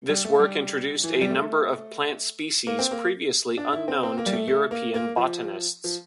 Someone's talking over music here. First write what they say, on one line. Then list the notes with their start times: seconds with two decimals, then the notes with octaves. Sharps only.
This work introduced a number of plant species previously unknown to European botanists.
0.09 G3
0.25 A3
0.39 G3
1.04 E3
1.13 F3
1.21 G3
1.31 A3
2.67 A#3
2.79 C4
2.91 A#3
3.58 D4
3.72 E4
3.88 C4
4.03 C4
4.18 A#3
4.26 G3
4.33 A3
4.48 A3
4.71 A#3
4.94 A#3
5.17 F3
5.84 F3